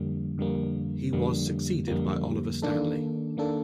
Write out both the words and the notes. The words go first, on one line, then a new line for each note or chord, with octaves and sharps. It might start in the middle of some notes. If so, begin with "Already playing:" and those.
He was succeeded by Oliver Stanley.
Already playing: F2 D3 G3 A#3
F2 D3 G3 A#3
F2 D3 G3 A#3
F2 D3 G3 A#3
D#3 A#3 D4 A4
D#3 A#3 D4 A4